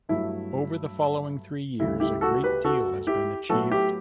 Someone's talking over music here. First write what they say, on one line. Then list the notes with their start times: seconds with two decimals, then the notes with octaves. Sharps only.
Over the following three years a great deal has been achieved.
0.09 G2 F#3 A3 E4
1.79 D2 C#3 G3 E4
2.00 E4 G4
2.21 F#4 A4
2.43 G4 B4
2.64 F#4 A4
3.07 E4 G4
3.49 A2 F#3 B3 F#4 A4
3.70 E4 G4